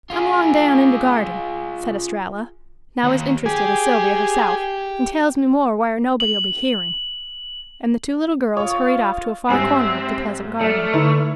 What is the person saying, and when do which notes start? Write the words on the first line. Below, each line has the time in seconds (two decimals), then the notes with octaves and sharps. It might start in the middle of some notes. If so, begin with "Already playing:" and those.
"Come 'long down in de garden," said Estralla, now as interested as Sylvia herself, "an' tells me more whar' nobody'll be hearin'," and the two little girls hurried off to a far corner of the pleasant garden.
0.10 F4 G#4
3.04 D#2
3.46 G4 G#4
6.20 F#7
8.57 F4 C#5 C#6 D#6
9.50 G#2 G3 C4 E5 G#5
10.61 F#2 A3 D5 F6
10.93 D3 D#4 E4